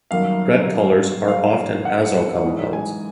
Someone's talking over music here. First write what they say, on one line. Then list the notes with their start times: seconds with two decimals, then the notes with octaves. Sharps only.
Red colors are often azo compounds.
0.11 G1 F#2 D#3 F#3 A#3 F5
1.28 F5
1.85 F#5
2.44 G#2 E3 G#3
2.73 G#5